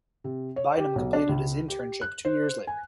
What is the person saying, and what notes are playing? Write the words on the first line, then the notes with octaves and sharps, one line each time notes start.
Bainum completed his internship two years later.
C3
C#5
G4
B1
D4
C#2
G4
F#6
C5
G#5